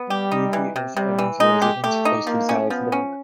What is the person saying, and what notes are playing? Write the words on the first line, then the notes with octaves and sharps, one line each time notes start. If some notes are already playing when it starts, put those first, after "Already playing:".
Muti also owns a residence close to Salzburg.
Already playing: B3
G3 G4
D#4
E3
C3
C3 G3
E3
G#3 D#4
G4
A3 G4
D#4
F3 A#3
C#4
F3 B3
C#4